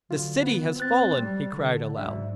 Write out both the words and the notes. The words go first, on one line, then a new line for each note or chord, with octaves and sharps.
"The city has fallen!" he cried aloud.
D3 F#3 F4
B3
C4 F#6 A6
G3
D3
G#2 F#3 D4 E5